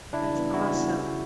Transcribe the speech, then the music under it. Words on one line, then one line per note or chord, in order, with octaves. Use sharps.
That's awesome.
C#3 D4 E4
E3 G3 B3
C#3 E4 F#4
E3 G3 B3
C#3